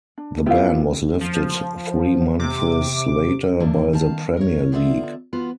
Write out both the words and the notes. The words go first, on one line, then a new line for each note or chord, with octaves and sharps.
The ban was lifted three months later by the Premier League.
D4
B3 E4 F4 G4 F5
F3
C3 D6
E2 G2 A#3 D4
D#3 F5 A5
A#4 C#5
D3 B3 F4 D5 E5
B3 F4 F#4